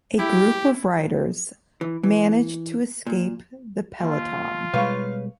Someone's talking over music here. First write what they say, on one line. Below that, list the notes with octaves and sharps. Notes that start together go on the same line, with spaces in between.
A group of riders managed to escape the peloton.
E4 G4
E3
E3
A#2
D#2 F4
B2 G3 G#3 B4 C#5 F5 C#6